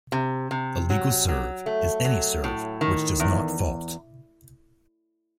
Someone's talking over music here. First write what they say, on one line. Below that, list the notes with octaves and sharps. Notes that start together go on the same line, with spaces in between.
A legal serve is any serve which does not "fault".
C3
C3
F#3
F#3
A3
F#3
A2
D#3
E2